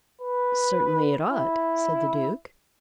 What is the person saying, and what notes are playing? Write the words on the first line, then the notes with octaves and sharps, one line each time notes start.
"Certainly it ought," said the Duke.
B4
E4